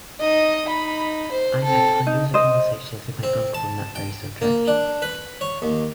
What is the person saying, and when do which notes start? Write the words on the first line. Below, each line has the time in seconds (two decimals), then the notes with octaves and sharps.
I've had hundreds of conversations with my uncle on that very subject.
0.20 D#4 D#5
0.65 D#4 B5
1.31 C5
1.64 C4 A4
2.07 D#4
2.34 C5 D#5
3.23 C4
3.54 A5
3.95 G5
4.41 A#3
4.67 D4
5.02 B4
5.41 C#5
5.62 D#2